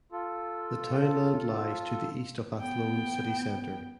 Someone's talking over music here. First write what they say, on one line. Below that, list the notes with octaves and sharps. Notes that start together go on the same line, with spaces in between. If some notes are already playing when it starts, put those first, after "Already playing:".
The townland lies to the east of Athlone City Centre.
F4 A4
B3 G5